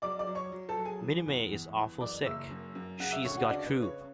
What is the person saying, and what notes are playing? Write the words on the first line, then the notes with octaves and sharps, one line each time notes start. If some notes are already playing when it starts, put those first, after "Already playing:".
Minnie May is awful sick — she’s got croup.
F#3 D5 D6
D5 D6
F#3
C#5 C#6
F#3
A4 A5
F#3
G#4 G#5
E3
E2
E2
E3
F#2 D5 D6
F#1 E5 E6
F#2
F#2
C#3 F#5 F#6
E5 E6
D2 C#5 C#6
F#4 F#5
C#3 D4 D5
B4
C#3
C#5